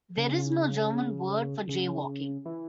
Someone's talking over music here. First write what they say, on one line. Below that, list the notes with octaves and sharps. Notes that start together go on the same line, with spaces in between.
There is no German word for jaywalking.
C#3
C#3
E3